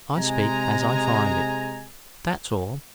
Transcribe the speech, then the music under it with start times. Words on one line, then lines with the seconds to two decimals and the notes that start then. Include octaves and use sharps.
I speak as I find it; that's all.
0.17 C3 G#3 G#5 A#5